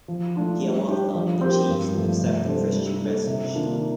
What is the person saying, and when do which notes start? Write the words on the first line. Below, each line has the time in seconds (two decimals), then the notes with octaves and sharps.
Hiawatha and the chiefs accept the Christian message.
0.08 F3
0.36 A3 D4 F4
0.62 G3
0.88 D4 G4
1.15 F3
1.41 C4 G4 A#4
1.68 G2
1.94 F3 A3
2.22 C3
2.48 G3 D4 A4 C5
2.74 G3
3.01 A#3 D4 A4
3.27 C3
3.54 D#3 A#3 D4 F4